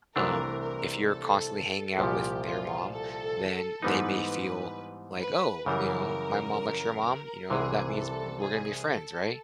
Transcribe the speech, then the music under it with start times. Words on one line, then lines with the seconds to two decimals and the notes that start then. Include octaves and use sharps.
um, if you're constantly hanging out with their mom, then they may feel like, "Oh," you know, "My mom likes your mom, you know, that means w we're gonna be friends, right?"
0.16 C2 C3 E3 A3 D4 A#4
0.62 A#4
1.07 A4
1.99 C2 A#2 F3 G4
2.44 F4
2.91 A4
3.82 G#2 E3 G3 B3 D#4 B4
5.21 B4
5.66 F#2 C#3 E3 G3 A#4
7.50 C2 C3 E3 G#4
7.96 A4
8.42 G#4
8.88 A4